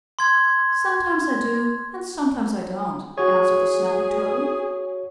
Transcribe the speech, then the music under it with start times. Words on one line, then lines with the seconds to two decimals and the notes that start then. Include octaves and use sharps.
"Sometimes I do and sometimes I don't," answered the Snapping Turtle.
0.19 C6 G#6
3.18 F#4 G#4 C#5